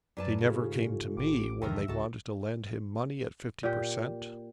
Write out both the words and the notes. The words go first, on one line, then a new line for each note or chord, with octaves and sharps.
They never came to me when they wanted to lend him money at fifty per cent.
F#2 B4 D5 A5
G#2 C#3 F4 G4 A4
A1 D6
B1 E2 D3 D#3 F3 A#4 E5
C#2 G#2 F#4 A4
A#2 G4